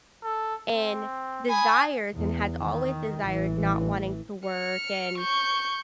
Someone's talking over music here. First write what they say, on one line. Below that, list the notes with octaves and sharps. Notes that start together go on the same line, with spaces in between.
and desires, and has always desired, not wanting to work and
A4
C4
G#5 B5 D#6
E2
D#3
A1 E3
F6 C#7
C#6 G6